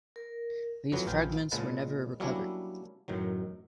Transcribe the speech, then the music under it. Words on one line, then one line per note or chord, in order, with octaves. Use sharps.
These fragments were never recovered.
A#4
F2 E3 F#3 A3 B4
A#1 F3 F4 B4 G5
A#2 C#3 G#3 B4 F#5 A5
F#3 G3 A#3 C#4 D4 E4
F#2 A2 D#3 F#3